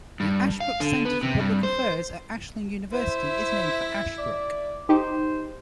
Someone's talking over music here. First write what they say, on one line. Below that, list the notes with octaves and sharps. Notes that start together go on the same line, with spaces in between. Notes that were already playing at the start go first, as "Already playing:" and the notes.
The Ashbrook Center for Public Affairs at Ashland University is named for Ashbrook.
G2
F5
D3
B3
C3
G2
C5
E4 C5 E5
D5
D#4 G4 C5